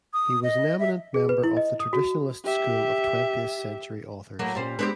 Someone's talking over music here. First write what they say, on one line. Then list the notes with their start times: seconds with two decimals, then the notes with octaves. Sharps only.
He was an eminent member of the "Traditionalist School" of twentieth-century authors.
0.13 D#6
0.43 D#5
0.80 E5
1.14 G#4
1.29 B4
1.44 E4
1.57 D#5
1.80 D#6
1.93 F#4
2.45 G4 E5
4.39 A2 F#3 A#3
4.55 A#2 G3 C#4 C5
4.79 G#3 B3 C4 D4 G4